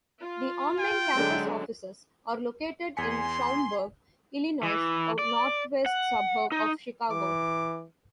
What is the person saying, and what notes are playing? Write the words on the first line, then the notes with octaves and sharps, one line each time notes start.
The online campus offices are located in Schaumburg, Illinois, a northwest suburb of Chicago.
F4
G5
D3 F#3 G#3
E2 G#5 C6 B6 C#7
E3
D5
F#5
D#4
E3 D6